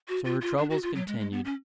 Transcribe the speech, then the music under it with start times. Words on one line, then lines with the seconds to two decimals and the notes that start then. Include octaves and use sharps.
So her troubles continued.
0.08 F#4
0.25 F4
0.41 F4
0.58 D4
0.70 F#4
0.83 F4
0.95 F#3
1.08 G#3
1.20 G#3
1.32 B3
1.45 C#4